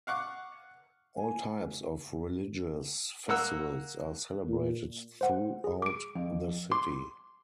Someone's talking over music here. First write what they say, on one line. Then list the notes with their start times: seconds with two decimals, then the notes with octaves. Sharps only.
All types of religious festivals are celebrated throughout the city.
0.07 F5 F#5 C#6 D6
1.16 G#5
3.29 A#3 F#5 E6
4.49 A#2
5.21 C5 F#5
5.64 G#4
5.82 D6 D7
6.15 F2
6.72 C6 D6